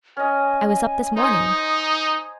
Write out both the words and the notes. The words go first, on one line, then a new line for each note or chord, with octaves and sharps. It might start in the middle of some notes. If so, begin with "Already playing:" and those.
"I was up this morning."
C#4 D#5 G#5
D#4 C5 G#5 A#5 D#6